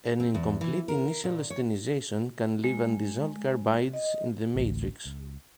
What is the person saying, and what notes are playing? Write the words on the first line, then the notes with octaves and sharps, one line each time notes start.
An incomplete initial austenitization can leave undissolved carbides in the matrix.
C4
E2
E3
A#4
A#2
C#5
G#3
D#5
A1 D2
C#2